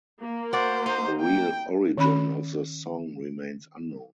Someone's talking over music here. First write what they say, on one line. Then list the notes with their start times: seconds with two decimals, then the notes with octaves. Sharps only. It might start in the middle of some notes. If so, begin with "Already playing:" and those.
The real origin of the song remains unknown.
0.21 A#3
0.53 F#4 C5 D5
0.86 D#4 C5
1.21 G5
1.98 D#3 C#4 B5